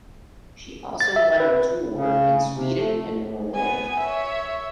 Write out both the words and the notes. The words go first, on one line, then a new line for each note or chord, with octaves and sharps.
She also went on tour in Sweden and Norway.
A6
E5
B4
C#3
C3
A3
B3 G#5
C#5 E5